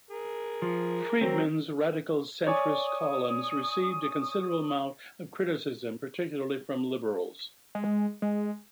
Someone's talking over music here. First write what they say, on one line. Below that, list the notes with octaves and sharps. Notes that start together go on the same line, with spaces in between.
Friedman's radical-centrist columns received a considerable amount of criticism, particularly from liberals.
G#4 A#4
F3
F#3 C4
C#5 D5 G#5 D#6
G#3
G#3